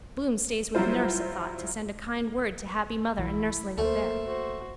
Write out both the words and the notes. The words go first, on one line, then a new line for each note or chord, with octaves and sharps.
Bloom stays with nurse a thought to send a kind word to happy mother and nurseling up there.
F#3 G3 E4 F4 C5
B1 E3 E4
D2 A3 A#3 A4 C5
F#4 C5